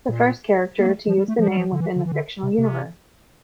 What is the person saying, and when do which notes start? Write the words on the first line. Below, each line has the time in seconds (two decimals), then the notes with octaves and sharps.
The first character to use the name within the fictional universe.
0.09 A#2
0.80 A#3
0.86 A3
1.08 F3
1.18 G3
1.28 A3
1.39 F3
1.48 G3
1.57 F3
1.72 D3
1.80 E3
1.96 D3
2.06 E3
2.12 D3
2.43 C3
2.58 C3